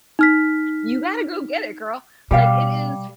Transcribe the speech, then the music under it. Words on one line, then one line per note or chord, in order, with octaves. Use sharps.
you gotta go get it, girl, like, it is
D#4 F6 B6
B2 G3 G4 F5